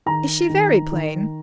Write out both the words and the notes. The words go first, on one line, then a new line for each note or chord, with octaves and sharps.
"Is she very plain?"
D#3 A#5
D#3
D#3